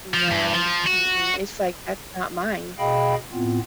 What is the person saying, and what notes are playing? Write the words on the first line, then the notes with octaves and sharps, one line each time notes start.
no. Mm-mm. It's like, "That's not mine."
F3
G2
F3
F#4
B2 G#4 D#5 F5 G5 B5
A2 B3 C4 F4